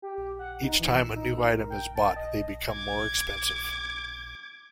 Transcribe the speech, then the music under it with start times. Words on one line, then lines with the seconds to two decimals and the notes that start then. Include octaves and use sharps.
Each time a new item is bought, they become more expensive.
0.02 G4
0.16 G4
0.39 F#5
0.64 D#4
0.79 E3
0.93 E6
1.16 D#4
1.38 A#4
1.70 G5
1.95 A5
2.16 D#5
2.70 D6 G#6